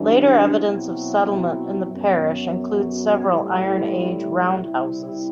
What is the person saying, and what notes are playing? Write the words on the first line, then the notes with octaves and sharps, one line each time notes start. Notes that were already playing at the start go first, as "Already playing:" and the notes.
Later evidence of settlement in the parish includes several Iron Age roundhouses.
Already playing: F#2 E3 G3 D4
B2 F#3 C4 E4
F#2 F#3 B3
A2 G3 C4 E4
C3 G3 C4 E4